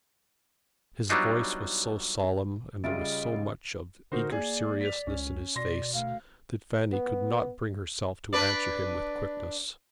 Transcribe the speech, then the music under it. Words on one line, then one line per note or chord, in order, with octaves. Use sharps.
His voice was so solemn, and there was so much of eager seriousness in his face that Fanny could not bring herself to answer him with quickness.
F#3 G3 B3 D4 D#4 F4
C#3 G3 F4 G#4 D#5 E5 A6 D7
D3 D#4 F#4 A#4 C5
A#3 G#4 D5
B6 F7
C#2 C#4
B2 D5 C6 A#6
D2 F5
B3
D4 B4 D5